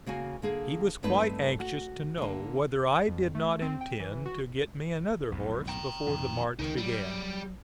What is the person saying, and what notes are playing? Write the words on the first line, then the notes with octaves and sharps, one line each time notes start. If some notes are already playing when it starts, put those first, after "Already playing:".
He was quite anxious to know whether I did not intend to get me another horse before the march began.
C#3 A#3 F#4 G#5
D3 A#3 G#4
G2 A3 C4 D#4 B4
F#4
D3 A#3
F2
A3
C4
G5
E3
F#4
B1 F2 A2
G5 A#5
F2 B2 D#3
C#2 D#4 A#4
F#3 G3